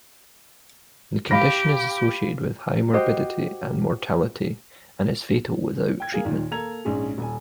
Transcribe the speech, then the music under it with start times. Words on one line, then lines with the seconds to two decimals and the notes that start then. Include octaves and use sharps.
The condition is associated with high morbidity and mortality and is fatal without treatment.
1.31 G4 F5 B5 A#6
2.93 F#4 G4 C5 D#5
6.00 G5 G#6
6.12 A#3 G#4 F5
6.25 D#2 A#2 D#3
6.51 A#3 A4 A#5 G#6 F7
6.85 A#1 G#2 C#4 G#4
7.18 D#1 G#5